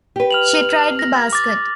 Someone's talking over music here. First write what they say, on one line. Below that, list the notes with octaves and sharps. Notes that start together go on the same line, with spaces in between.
She tried the basket.
G4 B4
F6 F7 F#7
A#6
D6 A6